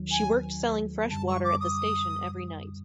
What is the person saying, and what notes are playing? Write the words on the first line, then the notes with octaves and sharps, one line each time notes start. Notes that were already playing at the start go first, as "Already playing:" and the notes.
She worked selling fresh water at the station every night.
Already playing: D#2 D#3 F#3
G#5
F#2 D3 G3 A5
C#6
D6
D#6